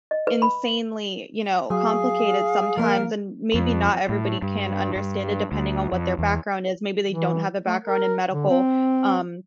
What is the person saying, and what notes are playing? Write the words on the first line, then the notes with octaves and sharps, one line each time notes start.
Insanely, you know, complicated sometimes, and maybe not everybody can understand it depending on what their background is, maybe they don't have a background in medical, um,
D#5
B4
B5
F#3 G#4 F5
F3 A#3 A#4
F2
A2
G2
G2
D2
F2
E2
E3
A3
A#4
D3
C4